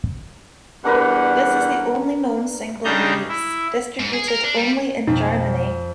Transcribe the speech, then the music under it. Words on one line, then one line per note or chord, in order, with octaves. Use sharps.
This is the only known single release, distributed only in Germany.
E2 G3 D4 A#4 B4 F#5
C#3 G3 D4 D#4 A#5 G6
E4
G#2
G#4
A#4
D4
G3
F2 B2 D#4